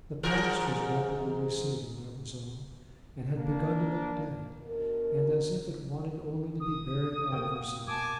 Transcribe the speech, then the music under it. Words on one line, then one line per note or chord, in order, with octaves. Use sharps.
The past was rapidly receding, that was all, and had begun to look dead, and as if it wanted only to be buried out of her sight.
G#2 E3 A#4
A#3 D4
D2 B2 A#4
D#6
B2 A#3 G5
G#5 A5 D6